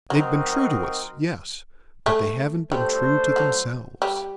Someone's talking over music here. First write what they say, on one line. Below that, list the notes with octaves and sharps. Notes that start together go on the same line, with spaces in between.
They've been true to us, yes, but they haven't been true to themselves.
F#3 C4 D#4 F#4 A#4 D#5
A3
G3 A3 D4 A4 C5
F#3
G3